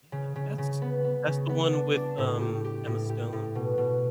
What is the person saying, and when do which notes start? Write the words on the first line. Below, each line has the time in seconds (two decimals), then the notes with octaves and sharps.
Yeah. That's that's the one with, um, Emma Stone?
0.12 C#3
0.36 C#3
0.58 C#3
0.82 B3
1.04 B3
1.27 C#3
1.49 B3
1.73 D4
1.96 D4
2.18 A2
2.40 G4
2.64 G4
2.86 A2
3.10 G4
3.33 A2
3.55 B2
3.78 B2